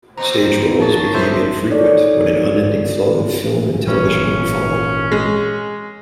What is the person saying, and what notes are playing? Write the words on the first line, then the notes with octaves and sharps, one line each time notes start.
Stage roles became infrequent when an unending flow of film and television work followed.
A#2 C4 C5 A#5
G#3 D#4 C#5 A5
B3 D4 A4 C5 E5
D4 D#4 A4 C#5 D5
G#1 A#2 E3 C#4
G#3